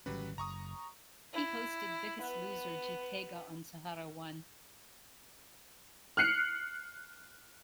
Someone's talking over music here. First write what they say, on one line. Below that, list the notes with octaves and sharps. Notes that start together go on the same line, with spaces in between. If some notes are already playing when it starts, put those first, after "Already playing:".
He hosted "Biggest Loser Jeetega" on Sahara One.
G#1 D3 F#3 G3 C#4 B4
F#1 A#5 C#6 D#6
E4
B3
F6 F#6 C7 C#7